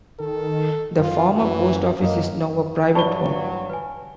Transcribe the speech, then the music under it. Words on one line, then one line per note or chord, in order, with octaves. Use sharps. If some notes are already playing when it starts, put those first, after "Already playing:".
The former Post Office is now a private home.
D#3 A4
F#2 F4
E3 F#4
F#2 A#3 D#5
G2 F#3 D5 A5 B5 C#6 G7
B4 G#5